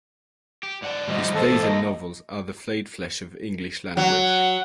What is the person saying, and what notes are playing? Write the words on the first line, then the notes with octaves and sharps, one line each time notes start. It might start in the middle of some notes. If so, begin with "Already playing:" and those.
His plays and novels are the flayed flesh of English language.
G4
G#2 D5 F#5 A5
F3 G3 D#5
E2 A4 C5
A#3 D#4 D#5
F#3 F#5